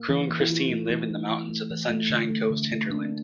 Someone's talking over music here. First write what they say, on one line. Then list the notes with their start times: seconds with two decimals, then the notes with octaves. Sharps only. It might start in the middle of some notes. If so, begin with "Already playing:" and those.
Crew and Christine live in the mountains of the Sunshine Coast Hinterland.
Already playing: A#3
0.09 E3
0.30 A#3
0.40 E4
0.49 E3 F4
0.69 A3
0.90 E3 E4
1.10 A3
1.30 E3
1.49 A3
1.71 E3
1.90 A3
2.10 D3
2.30 A3
2.50 D3
2.71 A3
2.90 A#3 D4